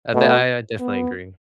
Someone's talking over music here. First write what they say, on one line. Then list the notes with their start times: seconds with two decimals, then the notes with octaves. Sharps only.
I de I definitely agree.
0.14 B2 A3
0.80 B3